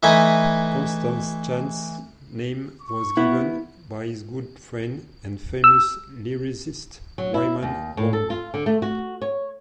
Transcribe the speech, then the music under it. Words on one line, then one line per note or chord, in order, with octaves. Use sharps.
Constance Chan's name was given by his good friend and famous lyricist Wyman Wong.
E3 A3 D#4 D#5 G#5 B5
C#6
B3 E4
E6
F#3
E4
D#2
A2
A4
F4
D3
A3
F#4
C#5